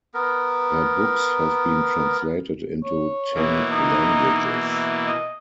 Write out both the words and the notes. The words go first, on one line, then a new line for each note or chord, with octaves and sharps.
Her books have been translated into ten languages.
B3 A#4
C#5
B2 E3 A#3
D#4
E4
D#5